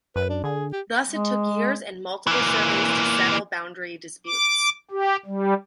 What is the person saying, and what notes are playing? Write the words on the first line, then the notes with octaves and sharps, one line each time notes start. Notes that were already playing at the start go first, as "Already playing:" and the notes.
Thus it took years and multiple surveys to settle boundary disputes.
F#2 B4
D4
D3 G#4
G4
G#3
E3 A#3
D6
G4
G3